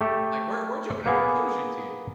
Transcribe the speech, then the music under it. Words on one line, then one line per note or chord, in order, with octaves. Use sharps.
Like, we're we're jumping to conclusions here.
A3 G4 A4
A#3 B3 G#4